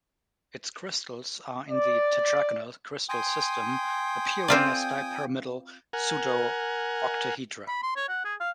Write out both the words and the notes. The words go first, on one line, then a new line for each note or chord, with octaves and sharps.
Its crystals are in the tetragonal crystal system, appearing as dipyramidal pseudo-octahedra.
D5
G5 G#5 C6 D#6
C4 F4 D5
A#4 F#5 G#5
B5
C6
C#5
F#5
G#4
F5